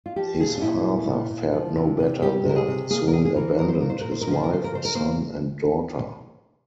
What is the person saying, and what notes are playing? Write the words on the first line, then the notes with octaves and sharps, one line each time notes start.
His father fared no better there and soon abandoned his wife, son, and daughter.
F4
F3 G4
A#2 G#4
C#4
A#2 E4
G3
A#2
A#2
F3
C3
C3
G3 G4
C3 A#4
G#4
C3
A#3 G#4
A#4
A#3 G#4
G#4
E3 A#4
G3 A#4
C5
A#2 A#4
C5
A#2 A#4
C5
A#4
F3 C5
A#4
C#3 C5
A#4
C#3 C5
A#4
A#3 C5